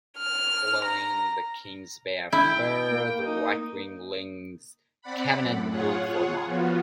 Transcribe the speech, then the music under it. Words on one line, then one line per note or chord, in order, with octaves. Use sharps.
Following the Kings Bay Affair the right-winged Lyng's Cabinet ruled for a month.
F6
A#5
E4 G5
A#3
D#4
C4 D5 F#5 B5
F#2 A2
F4 G#4 C#5 F#5
F3 B3 F4 F#4